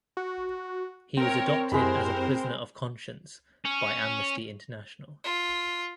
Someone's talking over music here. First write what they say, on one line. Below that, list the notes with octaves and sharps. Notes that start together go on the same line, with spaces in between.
He was adopted as a prisoner of conscience by Amnesty International.
F#4
C4 A#4 C#5 G5
F#2 G#3 E4 G4 A#4 C5 B5
C#4
F4